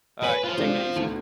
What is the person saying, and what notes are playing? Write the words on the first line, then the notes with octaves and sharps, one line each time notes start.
Alright, take it easy.
B4 C#5 G#5 D#7
F4 C5
C3 G#3 D4
C4
D2 B2